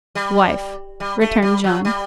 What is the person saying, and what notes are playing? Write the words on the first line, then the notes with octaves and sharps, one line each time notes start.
"Wife," returned John.
G3
G3
A3
G3
F#3
G3